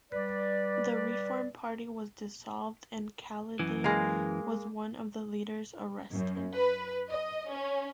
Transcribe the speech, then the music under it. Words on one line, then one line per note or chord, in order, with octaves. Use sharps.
The Reform Party was dissolved and Khalidi was one of the leaders arrested.
G3 B4 D5
F#2 E3
G#3 A#3
F#2
B4
D#5
C#4